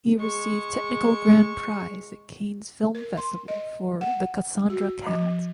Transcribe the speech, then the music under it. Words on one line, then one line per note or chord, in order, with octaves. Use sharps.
He received Technical Grand Prize at Cannes film festival for "The Cassandra Cat".
G#3 C#6
A#4
C6
D#5
F#5
F#4
F3